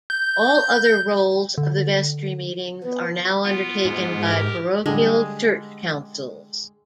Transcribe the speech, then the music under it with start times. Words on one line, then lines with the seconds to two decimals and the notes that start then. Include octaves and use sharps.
All other roles of the vestry meetings are now undertaken by parochial church councils.
0.10 G6
1.58 D3
2.83 B3
3.44 B3 F4
3.85 G#2
4.24 G4 A#4
4.86 D3 G3 G#3